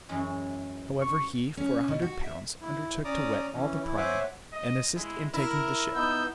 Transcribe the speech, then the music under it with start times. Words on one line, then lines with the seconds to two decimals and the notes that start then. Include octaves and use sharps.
However, he, for a hundred pounds, undertook to wet all the priming, and assist in taking the ship.
0.09 F#2 E3 G#3
1.02 C#6
1.57 C#4
1.88 B2
2.02 F#4
2.24 E5
2.61 E4
3.04 C#4 D5 A#5 D6 D#6
3.53 E3 C#4
3.83 E3 E4
3.97 C5 C#5 E5 F#5 G#5 D6
4.53 D#5
4.96 G#3 E4
5.34 E4 A#4
5.95 B3 D#4 E6 G6